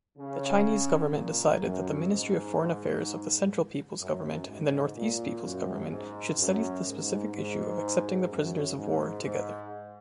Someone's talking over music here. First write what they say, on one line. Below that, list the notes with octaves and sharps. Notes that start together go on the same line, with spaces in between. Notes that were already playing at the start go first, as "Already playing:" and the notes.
The Chinese government decided that the ministry of foreign affairs of the central people's government and the northeast people's government should study the specific issue of accepting the prisoners of war together.
C#3
A#2
F#2
G#2
F#2
G#2
A#2
F#2
G#2
F#2
G#2
G#2
F#2
G#2
G#2